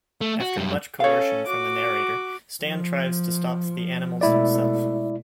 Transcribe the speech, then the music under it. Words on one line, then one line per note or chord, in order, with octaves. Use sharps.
After much coercion from the narrator, Stan tries to stop the animals himself.
A3
F#4
F#2 G3
C#4 A4 C#5 F5
F#4 D6
F3
B2 G#3 A3 E4 D5